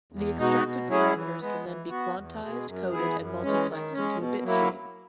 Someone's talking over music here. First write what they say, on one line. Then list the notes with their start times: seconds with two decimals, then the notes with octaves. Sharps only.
The extracted parameters can then be quantized, coded and multiplexed into a bitstream.
0.12 E2
0.38 B2 G#3 D#4 F#4
0.63 B2
0.88 F#3 C#4 E4 G#4
1.14 E3
1.40 G#3 B3
1.64 E3
1.90 B3 F#4
2.15 E2
2.41 B2 G#3
2.67 F#2
2.92 E3 B3 E4 G#4
3.17 F#2
3.42 E3 G#3 C#4
3.68 D#3
3.92 C#4
3.97 G#3
4.18 B2
4.44 F#3 A#3 E4